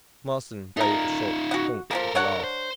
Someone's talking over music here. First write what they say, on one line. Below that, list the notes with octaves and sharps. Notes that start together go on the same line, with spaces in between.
Marsden gave a short honk of a laugh.
A3 D#4 F4 A#4
F#4 F#5
F3 G3 A#3 A4 A#4
D4 C#5 F#5
C5